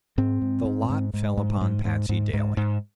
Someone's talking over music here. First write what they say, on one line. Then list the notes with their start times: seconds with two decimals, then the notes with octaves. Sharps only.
The lot fell upon Patsey Daly.
0.18 G#2 C4
0.42 G#2
0.65 G#2
0.90 G#2
1.14 G#2
1.37 G#2
1.61 G#2
1.85 G#2
2.09 G#2
2.34 G#2
2.57 G#2